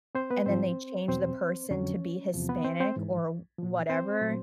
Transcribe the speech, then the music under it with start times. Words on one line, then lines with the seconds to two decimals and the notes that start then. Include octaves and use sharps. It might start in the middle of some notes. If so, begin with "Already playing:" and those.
and then they change the person to be Hispanic or whatever,
0.15 C4 C5
0.31 B3 B4
0.46 G#2 F3 C4 C5
1.08 E2 B2 F#3 C4 C5
1.71 F2 D3 F#3 C#4 C#5
2.34 E2 C3 F3
2.49 B3 B4
2.64 C4 C5
2.80 C4 C5
2.96 G#2 E3
3.59 A#2 F3
3.90 C4 C5
4.21 A#2 F#3